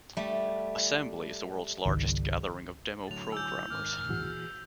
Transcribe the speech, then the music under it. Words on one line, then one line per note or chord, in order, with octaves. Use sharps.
Assembly is the world's largest gathering of demo programmers.
G3 A3
G#1 C#2 D#3
A2 D3 F#3 A6 F7
G#5 D6 E6 G6
G#2 D#3 G#5 D6 F6
A#2 E3 B3 F#4 G#4